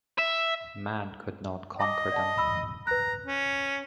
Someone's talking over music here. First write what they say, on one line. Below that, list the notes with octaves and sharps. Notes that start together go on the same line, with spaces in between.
Man could not conquer them.
E5
D#5 D6 A#6
D5 F#5 A5
B5 E6
B4 A#5 F#6
C#4